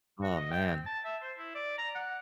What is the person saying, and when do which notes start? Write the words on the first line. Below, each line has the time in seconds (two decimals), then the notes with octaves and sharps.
Oh man.
0.23 F#4
0.35 D#5
0.51 G5
0.64 C4
0.86 A5
1.05 E5
1.21 C5
1.38 E4
1.55 D5
1.78 A#5
1.95 F#5